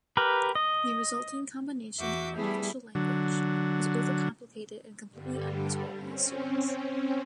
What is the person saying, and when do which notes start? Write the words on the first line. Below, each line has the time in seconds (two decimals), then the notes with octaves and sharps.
The resulting combination, an artificial language, was over-complicated and completely unusable by his students.
0.17 G4 A#4 B4
0.55 D#5
1.99 E2 F#4 E5 D6 G6
2.36 G3 A3 B3 E4 G#4
2.95 D3 F#3
5.10 G2 D3 G3
5.96 C4 C#4